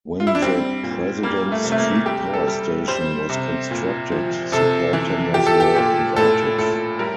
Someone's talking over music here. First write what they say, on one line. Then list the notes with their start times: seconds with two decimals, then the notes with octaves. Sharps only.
When the President Street Power Station was constructed, supply tenders were invited.
0.20 F4
0.27 E4
0.35 D4
0.42 G3 C4
0.83 A#2
1.23 G3 A#3
1.52 A3
1.65 C3
1.72 A3
1.78 A#3
2.06 G3 G4
2.34 A4
2.47 G3
2.88 G3 C5
3.30 C3
3.71 A#2
4.12 F3
4.52 C3 A4
4.93 E3
5.34 F3 G4
5.47 A4
5.60 G4
5.75 A#2 G4
6.16 A2 A4
6.58 A2 A4
6.99 G3 A#4